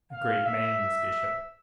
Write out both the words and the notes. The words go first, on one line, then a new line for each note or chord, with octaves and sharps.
A great man, Miss Bishop.
F5
E5